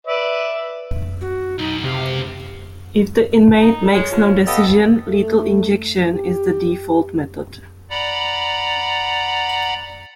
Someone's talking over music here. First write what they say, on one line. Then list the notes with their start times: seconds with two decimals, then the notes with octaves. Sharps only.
If the inmate makes no decision, lethal injection is the default method.
0.07 B4 D5 E5
1.21 F#4
1.59 B1 B2 D#4
1.84 C#2 C3 G4 F5
3.61 D#4
3.81 A4
3.93 G#3 C#5
4.10 F3
4.47 B3 G4 A4 D#5 F5
5.08 A3
6.15 G4
7.90 D5 F#5 A#5 B5